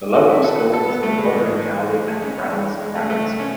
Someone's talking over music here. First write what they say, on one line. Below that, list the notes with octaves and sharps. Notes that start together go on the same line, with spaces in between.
The local school is the Quadring Cowley and Brown's primary school.
A2 E3 F#4
E4
A4
B4
A4
B3
A3
G#3
G#2 E3
G#3
A3
C#4
B3
A2 E3 G#3
G#3
A3
A3
C#4